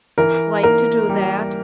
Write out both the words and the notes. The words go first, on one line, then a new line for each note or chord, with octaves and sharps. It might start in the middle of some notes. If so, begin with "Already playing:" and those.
like to do that,
E3 A#4
A#3 A#4
G3